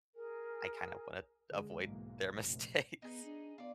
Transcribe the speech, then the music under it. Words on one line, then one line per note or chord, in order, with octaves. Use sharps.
I kind of wanna avoid their mistakes.
G#4 A#4 G#5
D3 G#3
B1 G#2 E3 A#3
F1 A#1
B3 D#4 G#4
D4
B3 F4 D5